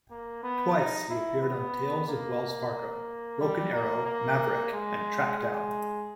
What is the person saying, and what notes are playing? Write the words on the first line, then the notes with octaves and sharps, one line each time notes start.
Twice he appeared on "Tales of Wells Fargo", "Broken Arrow", "Maverick", and "Trackdown".
A#3
B3
D#4
E4
B3
A#3
G3
A#3
A#3
G#3
G#3